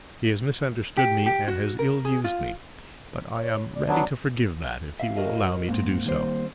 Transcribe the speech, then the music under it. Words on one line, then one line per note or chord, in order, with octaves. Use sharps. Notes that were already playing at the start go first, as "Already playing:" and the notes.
He has misunderstood me and has ill-used me. But I am ready to forgive that, if he will allow me to do so.
G4
G4
F#4
A#4
G#4
F4
C#5
D5
F#3 B3 D4
E5 F5
F#4 A#4 D#5
G#2 A#3 C4
D#3 G3 C5